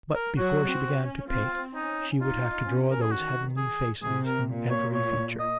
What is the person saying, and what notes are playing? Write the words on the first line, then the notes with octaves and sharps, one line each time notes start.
But before she began to paint she would have to draw those heavenly faces in every feature.
A#4
F#3 F#4
C4
C#4
C4 F4
C#4 D#4
D#4 F4
C#4
A#4
G#4
D#3 F#4
G#4
C3 G#4
A#4
A#2
C#5
C#5
D#5